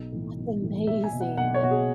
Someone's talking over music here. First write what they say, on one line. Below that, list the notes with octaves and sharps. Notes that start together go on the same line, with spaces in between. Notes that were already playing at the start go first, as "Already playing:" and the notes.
That's amazing.
Already playing: B1
A2 E3
B1
A2 E3
B1 E5
G#5
B2
F#5
B1 F#5
C#5
B2 F#4
G#4